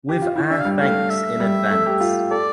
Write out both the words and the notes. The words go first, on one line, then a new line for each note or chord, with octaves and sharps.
With our thanks in advance.
G4
F4
E4
D4 E5
F5
G3
A3 F5
E5
G3
A3
G4
F4
A4 D5